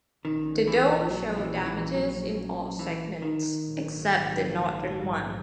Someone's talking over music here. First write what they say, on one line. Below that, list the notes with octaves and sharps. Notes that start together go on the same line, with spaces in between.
The dome showed damages in all segments except the northern one.
A#1 A#2 D#3 A#3 C#4
E3
F#3
E3
E3
F#3
E3
D#3
A#1 G#2 F#3